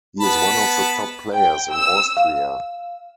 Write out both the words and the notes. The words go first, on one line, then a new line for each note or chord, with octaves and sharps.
He is one of the top players in Austria.
B3 A5 B5
G5
E6
F5